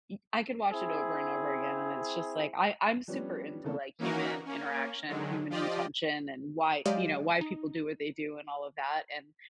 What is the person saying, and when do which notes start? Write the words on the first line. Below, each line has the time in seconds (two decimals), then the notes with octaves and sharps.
y I could watch it over and over again, and it's just like, I I'm super into, like, human interaction, human intention, and why, you know, why people do what they do and all of that. And
0.72 C4 E4 G#4
3.08 F3 G3 B3 C#4 D4
3.64 C#3 E3 A3 A#3 C4 A4
3.99 E3 A#3 C#4 D#4 F#4 A#4
4.46 A#3 C#4
5.08 D3 D#3 F#3 G#3
5.50 F3 F4 G4 D5 D#5
6.85 F#3 G#3 G4 D5 D#5 F5
7.41 D#4